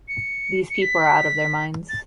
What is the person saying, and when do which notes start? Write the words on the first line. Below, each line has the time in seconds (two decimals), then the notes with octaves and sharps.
These people are out of their minds.
0.08 C#7
0.70 C#7
0.82 B6
1.89 A6